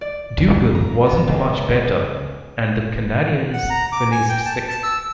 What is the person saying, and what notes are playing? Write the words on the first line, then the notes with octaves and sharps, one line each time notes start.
Dugal wasn't much better and the Canadiens finished sixth.
D5
A#5
B3
C#2
F#5
A#5
D6
G#5
G5
A5
A5
E6